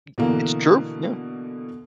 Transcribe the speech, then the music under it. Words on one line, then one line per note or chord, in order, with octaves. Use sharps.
I It's true, yeah.
B2 D3 E3 A#3